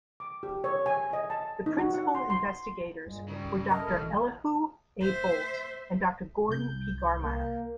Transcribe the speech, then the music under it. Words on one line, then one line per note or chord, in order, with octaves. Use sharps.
The Principal Investigators were Doctor Elihu A. Boldt and Doctor Gordon P. Garmire.
D6
G4
C#5
G#5
D#5
A5
D#4
F#4
F#5
C6
C6
G2 A#2 G#3
C#3 G3 A#4
E4 A4 A#4 D#5
A#1 G2 B2 E3
C5 E5
C2 G6
A#3